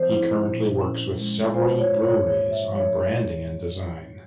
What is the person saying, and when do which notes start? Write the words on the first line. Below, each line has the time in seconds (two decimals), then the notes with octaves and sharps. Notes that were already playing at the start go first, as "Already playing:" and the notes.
He currently works with several breweries on branding and design.
Already playing: F3 C4 C5
0.09 E4
0.45 A#2
0.81 C#4
1.18 G#3
1.54 F4 C5
1.78 C#5
1.90 G#2
2.02 C#5
2.27 A#3 C#5
2.51 E5
2.63 F3
2.75 C#5